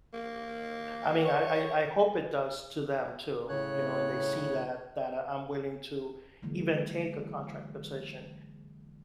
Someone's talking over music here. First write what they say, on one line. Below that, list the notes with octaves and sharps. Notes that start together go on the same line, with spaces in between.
I mean, I I I hope it does to them too, you know, and they see that that I'm willing to even take a contract position,
A#3
C#5
A2 C#3 C#5 F#6
D3 E3 F#3 G#3 A#3